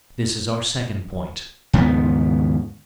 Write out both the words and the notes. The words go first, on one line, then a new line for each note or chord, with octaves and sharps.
This is our second point.
D#2 G#2 C#3 B3